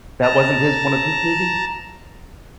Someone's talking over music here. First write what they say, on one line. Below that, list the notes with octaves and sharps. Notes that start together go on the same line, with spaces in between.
That wasn't his one of his movies?
A5 A#5